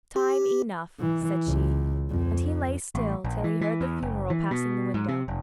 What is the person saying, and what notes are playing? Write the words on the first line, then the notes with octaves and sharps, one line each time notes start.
'Time enough,' said she, and he lay still till he heard the funeral passing the window.
G4
E3
C#2
F2
A1
A#1
E3
E3
E2
F#1
E3
B2
G#2
C3
F1